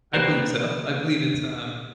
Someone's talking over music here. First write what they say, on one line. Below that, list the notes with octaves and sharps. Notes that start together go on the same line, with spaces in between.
I believe so. I believe it's, um
C3 A#3 G4 B4 C5 D5 A#5 F#6